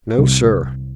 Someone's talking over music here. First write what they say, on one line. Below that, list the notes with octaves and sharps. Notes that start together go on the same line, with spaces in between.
No, sir!
C2